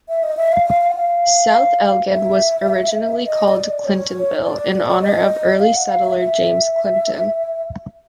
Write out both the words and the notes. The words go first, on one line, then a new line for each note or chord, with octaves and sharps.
South Elgin was originally called Clintonville, in honor of early settler James Clinton.
E5
D#5
E5
F5
F5
F5
F#5
F5
E5
D#5
D#5
D5
C#5
D5
D5
D#5
F5
F#5
F5
E5
E5